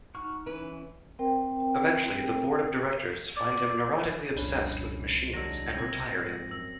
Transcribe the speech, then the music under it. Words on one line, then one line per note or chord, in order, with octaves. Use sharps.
Eventually, the board of directors find him neurotically obsessed with machines and retire him.
D#4 F#4 C#6 F6
E3 C#4 E4 B4
C4 A#4 C5 G5
D5
D#1 C2 F2 C#4 D4 B4
D#2 F#3 G#3 D4 E6 A#6
B1 C3 C4 D#6 G#6
G#2 F3
F#2 E6